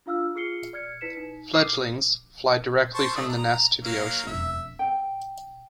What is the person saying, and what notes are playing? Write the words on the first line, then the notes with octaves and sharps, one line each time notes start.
Fledglings fly directly from the nest to the ocean.
D4 F4 F5 E6 F6
F4 G#4 F6 C7 C#7 G7
D5 F6 G#6 C#7
E4 B4 B6 C#7 E7
D#4
D6 D#6 F6 C7
C5 A5 C#6
A3 D4 D#6
A#5
F#3 A#3 F5
E1 F2 E5
G5